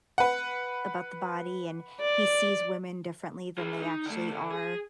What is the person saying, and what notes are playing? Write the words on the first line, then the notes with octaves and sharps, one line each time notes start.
about the body, and he sees women differently than they actually are.
B4 F#5
D5
F4 G#4
D#4
D3 A3
D3
G#4